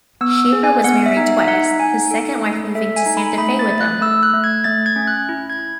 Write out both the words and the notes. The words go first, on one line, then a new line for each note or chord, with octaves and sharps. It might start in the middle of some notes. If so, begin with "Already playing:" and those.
Schaefer was married twice, his second wife moving to Santa Fe with him.
B3 E6
G#4
G#5
B3 F#5
E5
D#4
E5
E5
D#4 F#5
D#4 G#5
A4
A3
A4 E5
G#5
D#4
B5
A3 B5
A6
A3
F#6
A3 E6
F#6
A3
G#6
A3 A6
G#6
C#4
F#6
E4
G#6
E4